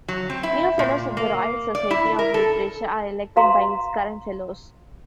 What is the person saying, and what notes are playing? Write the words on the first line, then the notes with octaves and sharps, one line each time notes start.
New fellows of the Royal Society of Literature are elected by its current fellows.
F#3
C4
E4
A#2
A#3
D5
E4
A#4
A4
F#4 F5 A#5 C6